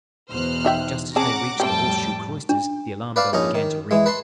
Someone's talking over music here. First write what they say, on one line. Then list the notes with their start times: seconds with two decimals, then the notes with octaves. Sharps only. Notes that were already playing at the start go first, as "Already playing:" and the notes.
Just as they reached the Horseshoe Cloisters, the alarm-bell began to ring.
0.29 E2 B2 C5 F6 F#6
0.65 D#4 E5 G5
1.16 C4 C#4 G#4 F#5 A5 A#5 D6
1.60 F2 A2 G3 A3 C4 G4 G5 A5
2.49 D4
3.16 B4 D5 F5 A5
3.33 A#1 C#4 D#4 A#5
3.55 D#3
3.91 E3 G#3
4.06 B4 A5 C6